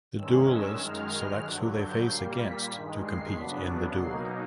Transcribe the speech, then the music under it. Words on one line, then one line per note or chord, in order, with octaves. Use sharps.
The duelist selects who they face against to compete in the duel.
G2 D#3 G#3 C#4 E6
E6
F#2 D#3 G#3 F6
G2 D3 F#3 F#6
G6
A#2 G3 A#3 C7
B6
G2 D#3 G#3
C7
F#2 C#3 F#3 B3 D4 B6
B2 F#3 A#3 D#4 C7